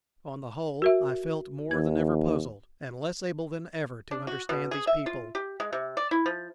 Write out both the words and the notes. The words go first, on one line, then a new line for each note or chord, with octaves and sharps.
On the whole, I felt more than ever puzzled, and less able than ever to understand these people.
F#4 A#4 E5
D#2 G#6
D4
F#4
B2
G#4
E5
F4
G4
G#3
C3
D5
E4
F3